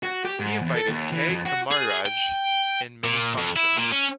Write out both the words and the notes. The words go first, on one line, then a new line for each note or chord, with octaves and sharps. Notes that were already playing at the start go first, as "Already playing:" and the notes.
He invited K. Kamaraj in many functions.
F#4
G4
G#2
E2
A4
D#2
E3
F2
F#4
G#4
G5
A#2
F2
E4
A#2
C#4